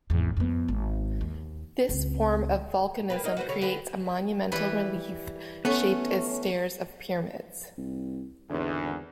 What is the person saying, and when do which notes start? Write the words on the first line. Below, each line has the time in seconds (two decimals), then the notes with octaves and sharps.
This form of volcanism creates a monumental relief shaped as stairs of pyramids.
0.10 G#1 E2
0.37 F2 B3
0.68 G#1
1.21 D#2
1.89 C#2 C4
3.10 A#3 G4 B4
3.23 A#3 D#4 D#5
3.37 F#4 B4 C5
3.49 D3 G3 C#5
3.61 D3 G4 B4
4.52 E3 G3 B4
5.65 A3 B3 C#4
7.78 C2
8.50 G#1 E2 D3